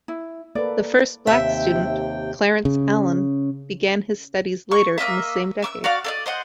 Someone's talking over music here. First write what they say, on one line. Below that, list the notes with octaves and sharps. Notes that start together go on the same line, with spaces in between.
The first black student, Clarence Allen, began his studies later in the same decade.
E4
A#3 A4 B4 D5
D#2 C3 E5 G5
C#3
C#6
A#3 C#4 D#5 E5
E5 D6 E6
F#4 D5 F5
A4 D5 D#5
C5 D#5 F#5